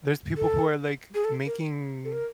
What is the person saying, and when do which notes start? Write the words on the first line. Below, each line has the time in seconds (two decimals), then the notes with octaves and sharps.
there's people who are, like, making,
0.37 A4
1.15 G#4
1.25 A4
1.46 A#4
2.05 A4
2.12 A#4